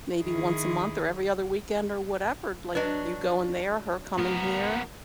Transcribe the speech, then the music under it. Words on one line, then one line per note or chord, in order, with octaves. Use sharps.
maybe once a month or every other weekend or whatever, like you going there, her coming here.
D#3 E4 G#4
F#3 D4 B4 D#5
B3 A#4